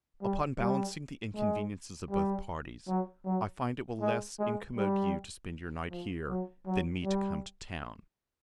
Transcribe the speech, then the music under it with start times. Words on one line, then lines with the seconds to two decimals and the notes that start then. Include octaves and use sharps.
'Upon balancing the inconveniences of both parties, I find it will less incommode you to spend your night here, than me to come to town.
0.22 G3
0.60 G3
1.35 G#3
2.11 G3
2.87 F#3
3.25 F#3
4.01 G#3
4.39 G#3
4.77 G3
5.90 F3
6.29 F#3
6.66 F#3
7.04 G3